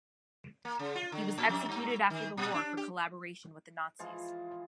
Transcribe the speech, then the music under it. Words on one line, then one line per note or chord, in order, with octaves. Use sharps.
He was executed after the war for collaboration with the Nazis.
A#3
C#3
F4
D3
A2
F2
G2
D#3
A#2
D4
G4
E3 F3 G#3 F4